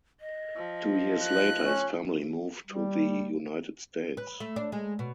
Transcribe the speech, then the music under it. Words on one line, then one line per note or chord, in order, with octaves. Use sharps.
Two years later his family moved to the United States.
D#5
F3
F#6
C#4
G3
B4
A3
D4
G#3
B2